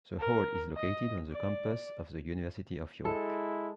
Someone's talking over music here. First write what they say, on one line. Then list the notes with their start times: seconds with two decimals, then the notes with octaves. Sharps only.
The hall is located on the campus of the University of York.
0.19 A#4
0.75 D#5
1.31 D5
3.05 G#3 E4 A4